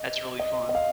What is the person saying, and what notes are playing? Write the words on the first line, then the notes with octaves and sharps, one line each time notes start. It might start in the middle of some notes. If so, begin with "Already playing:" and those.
That's really fun.
Already playing: D#5
D#5
D#5
F5